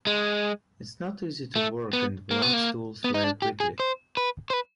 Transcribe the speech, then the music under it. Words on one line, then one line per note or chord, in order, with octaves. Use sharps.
It is not easy to work and blunts tools very quickly.
G#3
A3
B3
A#3
B3
A#3
B3
D#4
D4
G4
G#4
C5
B4
C5
B4